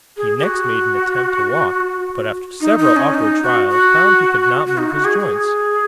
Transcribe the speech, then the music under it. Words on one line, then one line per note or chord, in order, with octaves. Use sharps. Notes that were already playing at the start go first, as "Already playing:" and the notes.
He next made an attempt to walk but after several awkward trials found he could not move his joints.
G#4
G#4
F#4
D#4
D#4
C#4
D#4
F#4
F#4
F#4
D#4
F#4
G#4
G#4